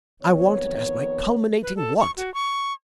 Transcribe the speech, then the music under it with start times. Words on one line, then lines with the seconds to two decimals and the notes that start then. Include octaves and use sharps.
I want it as my culminating want.
0.22 F2 D#3 B3 C#5
1.63 B4
1.76 A4
1.99 C#6
2.17 F#4
2.34 C#6